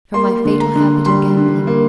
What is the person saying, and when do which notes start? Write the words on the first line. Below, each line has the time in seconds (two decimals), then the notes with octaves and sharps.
From my fatal habit of gambling.
0.14 A#3 C6
0.45 D3
0.60 A#5
0.76 D3
1.06 G3 C6
1.37 D3
1.67 A#3